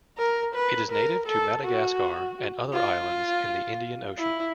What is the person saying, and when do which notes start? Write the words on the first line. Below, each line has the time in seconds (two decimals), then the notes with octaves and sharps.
It is native to Madagascar and other islands in the Indian Ocean.
0.18 A#4
0.55 B4
0.91 A#4
1.27 A4
1.64 F#4
2.73 F4
4.19 E4